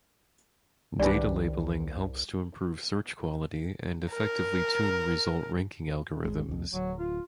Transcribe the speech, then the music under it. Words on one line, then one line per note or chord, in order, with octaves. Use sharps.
Data labeling helps to improve search quality and effectively tune result ranking algorithms.
C2 D#3 G3 D4 B4 D5 G#5
A#4
G#1 E2 G#3
C2 F2
D1 F#3
F4